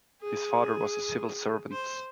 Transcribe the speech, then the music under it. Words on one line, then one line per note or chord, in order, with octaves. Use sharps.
His father was a civil servant.
G#4
C5